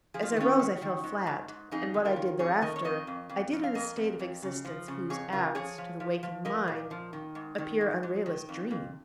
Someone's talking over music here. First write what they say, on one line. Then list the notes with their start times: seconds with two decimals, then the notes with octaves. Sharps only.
As I rose, I fell flat: and what I did thereafter I did in a state of existence whose acts, to the waking mind, appear unreal as dream.
0.14 F3 G#4
0.23 F4
0.32 D#4
0.36 D#3 C#4 F4
0.59 D#3
0.82 D#3
1.04 G#2
1.27 G#2
1.49 G#2
1.71 F2 D#4 G#4
1.94 D#3
2.05 F4 A#4
2.16 D#3
2.39 F2 G#4 C#5
2.61 D#3 A#4 D#5
2.76 C#5
2.84 F2 A#4 D#5
3.07 F2
3.29 F2
3.52 F2
3.64 F5
3.75 F2 A#4 D#5
3.97 F2
4.19 F2
4.42 C#3
4.65 F3
4.88 C#3
5.10 F2 G#4 C#5
5.32 C#3 F4 A#4
5.55 F3 G#4 C#5
5.78 F3
6.00 F3
6.23 F3
6.45 F3 A#4 D#5
6.68 A#2
6.91 F3
7.13 D#3
7.35 G#2
7.58 D#3
7.81 G#2
8.03 G#2
8.26 D#3
8.49 F2
8.71 F2